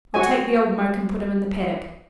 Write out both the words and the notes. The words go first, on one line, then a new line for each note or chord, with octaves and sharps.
I'll take the old moke and put him in the paddock.
F#4 C#5 G#5